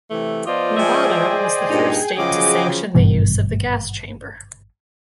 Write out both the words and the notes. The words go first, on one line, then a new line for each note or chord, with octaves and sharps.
Nevada was the first state to sanction the use of the gas chamber.
C3 E3 A3
F3 B3 F4 C5 D5 D#5
F3 G#3 G#4 E5 G5 G#5
G2 A#2 D#4
C#3 F3 F#3 F#4 D#5 D6
G#1 G2 B2 E3